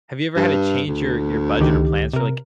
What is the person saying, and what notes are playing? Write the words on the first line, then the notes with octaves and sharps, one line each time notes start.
Have you ever had to change your your budget or plans for, like,
G2
D2
C#2 D#3 G4
C3 A#4